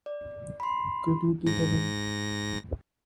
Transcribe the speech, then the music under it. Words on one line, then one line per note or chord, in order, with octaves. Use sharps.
Could You Be the One?
D5
B5 C6
G#2 A#6